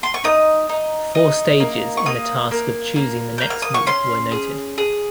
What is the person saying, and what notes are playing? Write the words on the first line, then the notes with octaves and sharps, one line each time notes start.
Four stages in the task of choosing the next move were noted.
C6
C#6
D#4 D#6
D#4
D#4
A#3
C#6
A#3 D#6
A#3
A#3
A#3 G6
F6
D#6
C#6
C#4 C6
G#4
G#4